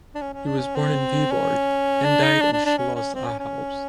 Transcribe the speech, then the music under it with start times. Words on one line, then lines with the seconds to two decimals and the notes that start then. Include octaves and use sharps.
He was born in Viborg and died in Schloss Ahaus.
0.15 D4
0.21 C#4
0.34 C#4
0.46 D4
0.58 C#4
0.75 C4
1.31 C#4
2.04 D4
2.23 D#4
2.42 D4
2.53 D4
2.66 D4
2.78 C#4
2.96 C#4
3.15 C4
3.27 C#4
3.39 C#4